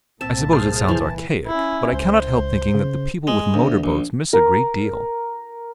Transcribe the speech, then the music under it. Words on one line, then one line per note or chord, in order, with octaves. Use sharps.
I suppose it sounds archaic, but I cannot help thinking that the people with motor boats miss a great deal.
C2 A#2 C4 E5 A5
G#4 C5 F6
E3
C#4 E4
C#2 C5
C#2
C#3
G#3
D2
A#1
A#4